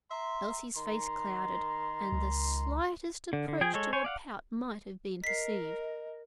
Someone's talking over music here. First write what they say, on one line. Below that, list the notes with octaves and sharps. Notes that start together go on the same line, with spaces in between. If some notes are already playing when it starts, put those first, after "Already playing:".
Elsie's face clouded, and the slightest approach to a pout might have been perceived.
E5 A#5 C6
D#3 A#5 C6
C#2
D3
D3
F3 G#4 G5 G#5
G#3 A4 C#5
C5 C#5 G#5
D5 F5 F#5
A#4 D#5 B6 C7